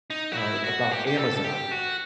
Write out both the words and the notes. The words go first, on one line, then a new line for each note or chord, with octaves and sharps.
uh, about Amazon.
D#4
F#4
E4
F#4
G4
G4
A4
A4
G4
F#4